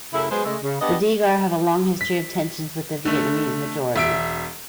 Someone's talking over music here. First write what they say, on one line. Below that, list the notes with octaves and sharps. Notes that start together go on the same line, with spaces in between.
The Degar have a long history of tensions with the Vietnamese majority.
F#2 C#3 A3 E4
F#3 G#3 B3 G#4 B4 C5
C#3 G#3 A3
C#3
B3 D4 G4 D#5
B6
D3 A3
E1 E5 D7